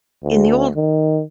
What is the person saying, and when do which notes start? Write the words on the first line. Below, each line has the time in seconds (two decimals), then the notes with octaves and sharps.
in the old,
0.24 D2
0.76 D#3